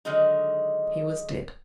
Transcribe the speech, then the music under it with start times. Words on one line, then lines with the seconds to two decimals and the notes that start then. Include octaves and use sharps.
He was dead!
0.05 D3 D#3 F#3 G#3 D#4